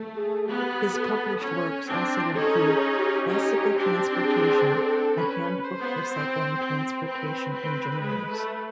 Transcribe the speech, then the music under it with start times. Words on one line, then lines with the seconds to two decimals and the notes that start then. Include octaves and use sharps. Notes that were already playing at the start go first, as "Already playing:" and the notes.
His published works also include "Bicycle Transportation: A Handbook for Cycling Transportation Engineers".
Already playing: A3
0.15 G#4
0.46 B3 G4
0.93 A4
1.40 C#4
1.88 C4 D4
2.34 C#4 D#4 A4
2.66 G#4
2.97 G4
3.29 C#4 D#4
3.76 C4 D4
4.23 G#4
4.70 A4
5.17 C#4 B4
5.64 C5
5.80 B3
6.11 C4
6.58 C4
7.06 C4 B4
7.53 C4
8.00 G#3
8.31 A3